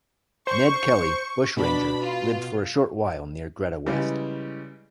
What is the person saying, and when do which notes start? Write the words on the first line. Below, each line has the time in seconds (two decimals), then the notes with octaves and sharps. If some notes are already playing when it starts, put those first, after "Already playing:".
Ned Kelly, bushranger, lived for a short while near Greta West.
0.47 C5 C#6
1.57 B2 D4 B5
2.02 F4
3.86 C#3 E3 G3 G#3